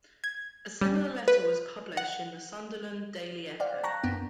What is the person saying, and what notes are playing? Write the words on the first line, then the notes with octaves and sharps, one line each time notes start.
A similar letter was published in the "Sunderland Daily Echo".
G#6
G3
B4
F#5
C5 D5 F5 F#5
G5 A5 A#5 C#6 F#6 A#6
F#2 A#3 B3 D4